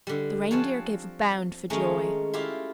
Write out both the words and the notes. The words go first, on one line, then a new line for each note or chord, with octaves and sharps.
The Reindeer gave a bound for joy.
D3 G3
F3 C4 C#5 F#5 G#5 A5
D#3 G#3 A3 C#4 D#4
E4 F4 G4 F5